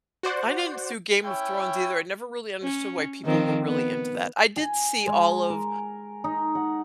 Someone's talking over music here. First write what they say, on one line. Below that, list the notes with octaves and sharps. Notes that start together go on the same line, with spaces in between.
I didn't see Game of Thrones either I never really understood why people were really into that I did see all of
F#4 C5 D5 F#5
C#4 E4 C#5 G5
C#4
D#3 F3 C4
B3
G#5
G#3
A#4
D#4
F#5